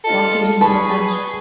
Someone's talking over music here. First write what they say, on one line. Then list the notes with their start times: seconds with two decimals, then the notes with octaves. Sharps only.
What do you think about that?
0.04 F4 A4 D#5
0.61 G#4 B4 A5 C#6